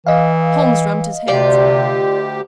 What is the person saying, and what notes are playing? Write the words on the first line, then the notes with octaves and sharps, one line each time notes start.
Holmes rubbed his hands.
E3 D#5 F5
D2 C3 F4 G4 D5